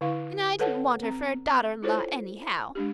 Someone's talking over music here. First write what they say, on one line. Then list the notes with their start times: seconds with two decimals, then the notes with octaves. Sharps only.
And I didn't want her for a daughter-in-law anyhow.
0.01 D3 E4 F5
0.59 A4 B4 C#5 F#5 A5
1.03 C4 A#5
1.83 E4 F4 A4 C5 C#5
2.75 G#3 D4 G4